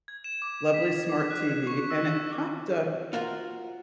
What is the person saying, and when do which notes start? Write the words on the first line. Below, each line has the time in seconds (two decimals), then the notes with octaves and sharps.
lovely smart TV and it popped up
0.08 G#6
0.24 E7
0.42 D6
0.74 B6
1.09 D6
1.31 F#6
1.67 C#6
1.91 E6
2.05 C#6
3.13 F4 F#4 A#4 C5 F#5